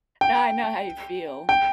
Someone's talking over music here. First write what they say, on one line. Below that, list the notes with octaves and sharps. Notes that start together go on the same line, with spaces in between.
No, I know how you feel.
G5
G5